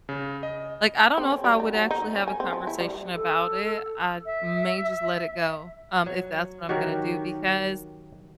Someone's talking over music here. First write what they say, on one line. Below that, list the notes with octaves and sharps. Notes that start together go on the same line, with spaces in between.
like, I don't know if I would actually have a conversation about it. I may just let it go, um, if that's what I'm gonna do, because,
C#3
D#5
C4
C#4
G3
D#4
F#3
D#4
C#4
G#5
C4
F3
E4
G3
A4
E5
F#3
D#3 F#3 F#4 G4 A#4